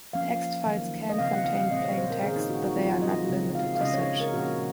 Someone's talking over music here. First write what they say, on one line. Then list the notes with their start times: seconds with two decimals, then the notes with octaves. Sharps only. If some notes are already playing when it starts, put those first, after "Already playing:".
Text files can contain plain text, but they are not limited to such.
0.13 F3 A#3 C#4 F5
0.66 D#3 F#3 A#3
1.09 D#5
1.18 C#3 F3 C4 F5
1.32 F#5
1.44 F5
1.58 F5
1.71 A#2 G#3 C4 D#5
1.84 C#5
1.97 C5
2.10 A#4
2.23 D#3 A#3 C#4 G#4
2.36 D#4
2.50 F#4
2.63 F#4
2.76 F3 G#3 C4 F4
3.02 D#5
3.29 C#3 G#3 C4
3.55 F5
3.75 F5
3.81 C#3 G#3 C#4 D#5
3.94 C#5
4.07 C#5
4.21 A#4
4.33 A#2 F3 A#3 C#4 F#4